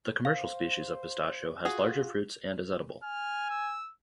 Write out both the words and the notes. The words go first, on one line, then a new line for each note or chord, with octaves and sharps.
The commercial species of pistachio has larger fruits and is edible.
C5 F5
F4 F#4 G#4
G#5 F6
E6